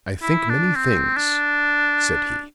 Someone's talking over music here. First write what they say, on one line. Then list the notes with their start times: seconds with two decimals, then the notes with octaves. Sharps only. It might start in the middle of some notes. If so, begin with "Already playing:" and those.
"I think many things," said he.
0.22 E4
0.49 D4
0.76 C4
1.16 D4